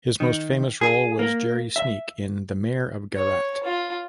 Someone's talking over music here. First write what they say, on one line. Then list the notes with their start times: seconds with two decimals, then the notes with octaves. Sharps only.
His most famous role was Jerry Sneak in "The Mayor of Garratt".
0.20 D#3
0.81 G#4
1.19 A#3
1.76 E5
3.15 C#5
3.64 F4